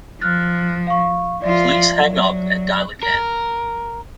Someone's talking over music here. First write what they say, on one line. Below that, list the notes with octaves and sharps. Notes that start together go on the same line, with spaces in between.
Please hang up and dial again.
F3 F6 F#6 A6
F5 C#6
F3 F4 D5 E5
F#3
A#4